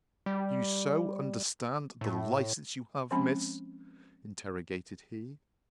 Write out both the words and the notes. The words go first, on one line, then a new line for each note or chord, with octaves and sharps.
Do you so understand the license you have, Miss? interrogated he.
G3
A2
F3 G#3 C4 C#4 B5